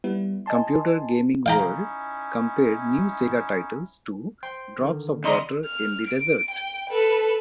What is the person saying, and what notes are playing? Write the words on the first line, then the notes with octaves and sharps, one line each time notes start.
"Computer Gaming World" compared new Sega titles to "drops of water in the desert".
G3 B3 E4
D#5 G#5 A5 C6
C#4 D#4 E4 F5 G5 A#5
C5 G5 C6
D3 D#3
E2 D5 D#5 A#5 C6 D6
F6
D7
G5
A4 B4